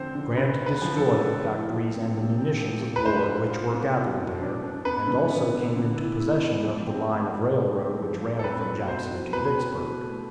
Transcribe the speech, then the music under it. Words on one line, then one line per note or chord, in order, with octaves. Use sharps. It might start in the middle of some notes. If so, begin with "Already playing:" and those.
Grant destroyed the factories and the munitions of war which were gathered there, and also came into possession of the line of railroad which ran from Jackson to Vicksburg.
Already playing: D3 F3 C4 C5
D3
D3 B4
D3
B4
F3
A4
D3
C4
E4
F3
C4
C3
C4
F3
E4
B4
D4 C5
F4
F4
B3
B2
B2
D4
D4
B3 B4
D3
B3
B3
D3
E4
E4
B3
F3
C4
C4
F4
A3
C4
F3
F4
A4
C4 B4
B2
B2 C5
B2
B2 B4
C4
B2
A3